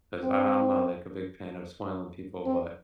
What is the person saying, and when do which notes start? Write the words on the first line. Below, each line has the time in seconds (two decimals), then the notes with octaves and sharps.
'cause I I'm not, like, a big fan of spoiling people but,
0.24 C4
2.46 C4